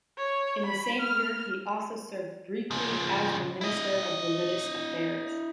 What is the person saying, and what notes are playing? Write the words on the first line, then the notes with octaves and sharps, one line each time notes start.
In the same year he also served briefly as the Minister of Religious Affairs.
C#5
B5
F6
C#3 F3
E4 D#5